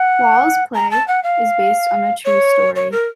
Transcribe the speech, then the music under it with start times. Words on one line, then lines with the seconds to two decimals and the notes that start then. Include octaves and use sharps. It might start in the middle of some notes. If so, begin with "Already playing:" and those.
Wall's play is based on a true story.
Already playing: F#5
0.74 A#5
0.91 A5
1.07 F#5
1.23 F5
2.25 C#5
2.75 C#5
2.91 A#4